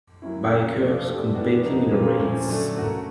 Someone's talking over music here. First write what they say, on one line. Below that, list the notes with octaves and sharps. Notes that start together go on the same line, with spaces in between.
Bikers competing in a race.
F#3 A#3 C#4 E4
C#3 F#3 A#3
F3 A3 D4 F4
A3 D4 G4
E3 G3 B3 D4 F#4
C#3 F3 A#3 D#4
A#2 G3 A#3 C#4 F4
A#2 F3 A3 C#4
D3 F#3 A3 D4
A3 C#4 F#4 A#4